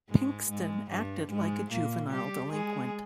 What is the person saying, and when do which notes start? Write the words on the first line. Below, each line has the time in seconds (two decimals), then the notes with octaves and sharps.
Pinkston acted like a juvenile delinquent.
0.09 G#2 G#3
0.50 G#2 G#3
0.90 G2 G3
1.30 G#2 G#3
1.71 A#2 A#3
2.11 G3 G4
2.52 G#3 G#4